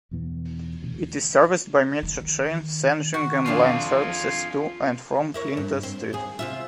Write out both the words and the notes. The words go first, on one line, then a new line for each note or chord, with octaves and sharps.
It is serviced by Metro Trains Sandringham line services to and from Flinders Street.
E2 B2 E3 B3
D2 B2
D#3
F#4
F2 D4 F4 G#4 F5
E4 A#4 C#5
G2
C4
D#2 G#4
C3 F4 E5